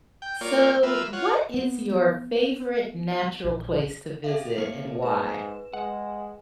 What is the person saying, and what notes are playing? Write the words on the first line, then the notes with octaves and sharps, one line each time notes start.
So, what is your favorite natural place to visit and why?
G5
A#3 F4 C#5 D5
A#3 F4 B4 E5
F4 C#5 F#5
B3
A#1
A4 E5 F5
A#3 C#5
G#2 B4 E7
G#3 F#5